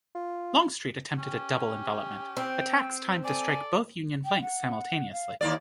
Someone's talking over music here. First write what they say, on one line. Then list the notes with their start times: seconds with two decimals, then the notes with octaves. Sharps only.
Longstreet attempted a double envelopment: attacks timed to strike both Union flanks simultaneously.
0.15 F4
1.19 C#4 G4
2.37 C4 G5
3.25 A4 D5 G#5
4.25 G5
4.42 F#5
5.12 F5
5.41 D#2 A#3 E4 D5